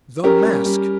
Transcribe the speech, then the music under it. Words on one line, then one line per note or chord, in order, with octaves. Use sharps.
The mask!
C#4 G4 A#4
G3
G3